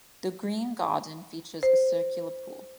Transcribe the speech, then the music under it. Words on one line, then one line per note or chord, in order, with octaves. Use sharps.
The Green Garden features a circular pool.
C5